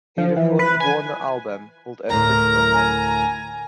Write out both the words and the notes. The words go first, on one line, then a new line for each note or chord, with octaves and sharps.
He recorded one album called "Erfrischungen".
F3
E3
B4
G#5
D2 A2 A#4 A#5
G#5